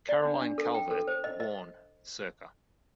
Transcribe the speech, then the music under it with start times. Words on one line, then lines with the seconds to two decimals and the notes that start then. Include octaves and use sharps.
Caroline Calvert, born circa.
0.09 D5
0.25 D4
0.42 D4
0.58 A4
0.75 G5
0.91 A4
1.08 C5
1.24 D#5
1.40 D#5